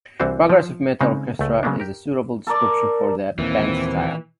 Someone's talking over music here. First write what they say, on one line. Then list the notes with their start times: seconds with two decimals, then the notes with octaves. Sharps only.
"Progressive metal Orchestra" is a suitable description for the band's style.
0.20 C2 E3 C4 D4 F#4 C5
0.50 F3
1.01 C#3 G#3 C4 D#4
1.39 C#2 A3
1.63 C#3 F#3 G#3 A#3 B3 D4
1.80 G4 A#4
2.47 A4 A#4 D5
3.39 D#2 A#2 E3 C4